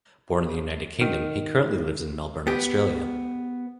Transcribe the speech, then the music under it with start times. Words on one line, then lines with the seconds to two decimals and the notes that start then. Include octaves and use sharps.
Born in the United Kingdom, he currently lives in Melbourne, Australia.
1.01 D#3
2.47 B3 G4